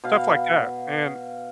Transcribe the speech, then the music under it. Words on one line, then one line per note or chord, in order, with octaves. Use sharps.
stuff like that, and
B2 F5